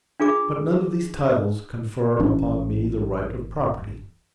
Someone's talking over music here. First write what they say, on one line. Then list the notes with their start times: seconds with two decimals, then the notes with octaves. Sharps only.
But none of these titles confer upon me the right of property.
0.20 D4 F4 G#4 D6
2.19 A1 E3 C#4 D4